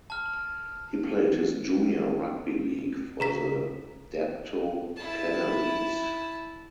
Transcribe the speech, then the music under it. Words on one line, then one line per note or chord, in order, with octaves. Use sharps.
He played his junior rugby league for the Dapto Canaries.
A5 F6
C#3 G#4 A#5 B6
E4 A5